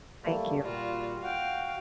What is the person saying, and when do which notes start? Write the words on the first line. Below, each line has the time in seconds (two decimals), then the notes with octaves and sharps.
Thank you.
0.24 G3 A3 A#3
0.63 A#2 G3 F4 F#4
1.23 F#4 F5 G5